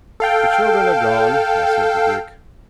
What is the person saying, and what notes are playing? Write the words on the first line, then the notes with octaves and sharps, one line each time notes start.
"The children are gone," I said to Dick.
A4 F5 G5